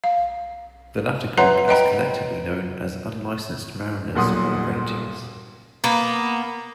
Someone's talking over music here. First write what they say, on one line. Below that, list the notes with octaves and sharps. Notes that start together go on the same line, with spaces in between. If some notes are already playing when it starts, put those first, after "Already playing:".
The latter group is collectively known as unlicensed mariners or ratings.
F5
B4 C#5 E5 F#5 A#5 C6
B4 D#5 F#5 G5 A#5 B5
D#1 B1 A#2 F#5 C6 D#6
A#3 B3